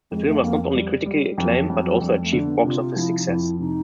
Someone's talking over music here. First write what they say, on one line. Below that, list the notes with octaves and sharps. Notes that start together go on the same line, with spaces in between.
The film was not only critically acclaimed but also achieved box office success.
F2 G#3
A3
F2 A#3
G3
G3
F2 F#3
F#3
F2
F#3
F2 G3
A3
D3
B3
C3 F4
F3 E4
D#4
F2 E4
C3 D#4